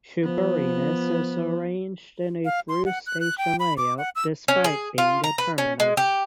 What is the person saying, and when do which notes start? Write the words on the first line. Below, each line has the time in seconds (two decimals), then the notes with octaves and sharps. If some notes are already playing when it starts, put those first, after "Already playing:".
Shoeburyness is arranged in a through-station layout despite being a terminus.
0.23 F3 B3
2.45 F5
2.69 C6
2.85 F#5
3.06 F#6
3.20 F#6
3.38 G5
3.60 B5
3.77 D6
3.98 F#5
4.15 E6
4.48 C#4
4.64 G#4
4.98 F4
5.24 A#5
5.38 B4
5.58 C#4
5.80 G#3
5.97 G4